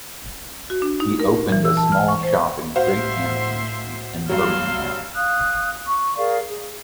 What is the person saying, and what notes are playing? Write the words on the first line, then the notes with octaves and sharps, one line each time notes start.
He opened a small shop in Great Hampton street in Birmingham.
F#4
D4
D#4
A#4
A#2
E3
E6
A5
F6
C#6
C5
A2 F#4 C5 E5 F5 C6
G2 F#3 F5 C6 E6
F5 D#6 F#6
C#6
G#4 A#4 D5 F5
G#4